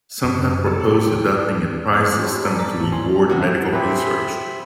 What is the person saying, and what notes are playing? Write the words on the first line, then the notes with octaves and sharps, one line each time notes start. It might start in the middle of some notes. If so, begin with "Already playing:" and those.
Some have proposed adopting a prize system to reward medical research.
F#2
A4
G4
G5
F2 G#3 B3 G#4 D#5 C6
G4 C5 C#5 G#5 A5 B5
A#4 D5
F2 A5 A#5 A6 B6
G#1 A2 E3 F#3 C#6
C4 G#5 C6
G#2 C3 F#4
C4 G4 G#4 B4 E5 B5